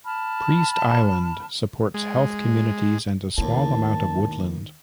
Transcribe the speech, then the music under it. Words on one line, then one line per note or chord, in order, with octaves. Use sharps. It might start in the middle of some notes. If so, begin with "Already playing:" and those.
Priest Island supports heath communities and a small amount of woodland.
A5 B5 F6
G#3
A1 D#2 D#4 E4 A5